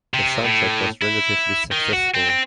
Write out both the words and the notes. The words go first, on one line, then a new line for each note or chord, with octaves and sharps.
The soundtrack was relatively successful.
C3
A2
E4
D#3
F#4
C4
C4